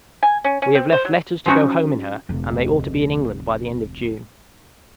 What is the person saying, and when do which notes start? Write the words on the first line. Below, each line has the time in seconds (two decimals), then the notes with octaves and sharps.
We have left letters to go home in her, and they ought to be in England by the end of June.
0.23 G#5
0.44 C#4
0.62 C#4
0.75 C4
0.92 C5
1.05 F#3
1.46 F3 F#3 C#4 D#4 F#4
2.29 F1 D2